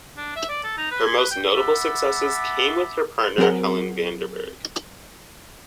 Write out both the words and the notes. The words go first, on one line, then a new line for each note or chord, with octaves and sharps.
Her most notable successes came with her partner Helen Vanderburg.
D4
E5
D5
A4
D#4
B4
G#5
B4
G5
E5 F#5 A5 B5 D6 E6
F#3 C4 G#4 A#4 F#5